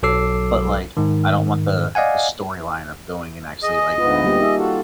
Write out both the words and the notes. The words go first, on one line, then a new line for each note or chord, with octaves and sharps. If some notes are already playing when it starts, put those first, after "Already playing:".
but, like, I don't want the the storyline of going and actually, like
B1 F#3 A4 D6 E6 C7
G#2 D#3
D5 D#5 F5 F#5 G#5
G#4 D#5
D2 G#2 B3 F4
G3 A#3 G4
D#4 G#4 E5
F4 F#4 A4